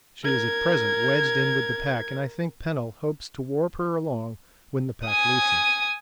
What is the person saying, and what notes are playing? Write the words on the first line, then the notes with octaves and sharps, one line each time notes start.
She is at present wedged in with the pack, and I think Pennell hopes to warp her along when the pack loosens.
A#4 G#6
G#5 D#6